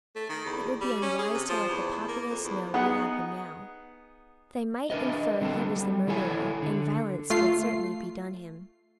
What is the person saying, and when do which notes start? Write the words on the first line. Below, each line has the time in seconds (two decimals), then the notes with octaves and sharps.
It would be unwise to let the populace know we have him now; they might infer he was the murderer and violence would certainly be done him.
0.15 A3
0.29 D#3
0.45 E2
0.81 G3
1.02 C#4
1.19 G#4
1.34 C3
1.49 F3
1.69 E2
2.08 A#3
2.30 F2
2.44 E2
2.74 B3 D#4 G#4 F#5
4.90 D4 A#4 B4 D#5
5.41 D3 G3 C4 A4
5.76 G3
6.07 D#3 E4 A4 C#5 F#5 G#5
6.62 D3
7.30 A3 F4 C7